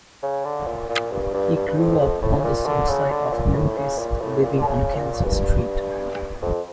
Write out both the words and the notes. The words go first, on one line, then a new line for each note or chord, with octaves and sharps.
He grew up on the south side of Memphis, living on Kansas Street.
C#3
D3
A#2
A#2
G2
G2
G2
G2
F2
F2
A2
C#3
A#2
D3
C#3
D3
A#2
A2
C#3
A#2
A2
A#2
D3
C#3
A#2
G2
F2